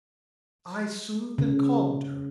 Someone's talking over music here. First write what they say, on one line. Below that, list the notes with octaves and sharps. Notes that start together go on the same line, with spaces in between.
I soothed and calmed her.
C#3